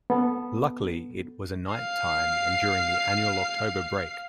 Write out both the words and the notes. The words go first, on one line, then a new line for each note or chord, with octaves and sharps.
Luckily, it was a night time and during the Annual October break.
B3 A4
F5 C7